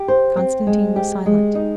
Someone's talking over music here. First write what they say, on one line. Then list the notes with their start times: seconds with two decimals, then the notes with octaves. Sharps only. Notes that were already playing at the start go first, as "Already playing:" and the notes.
Konstantin was silent.
Already playing: G4
0.08 C5
0.37 C4
0.67 G#3
0.96 G4
1.26 G#3
1.55 D#4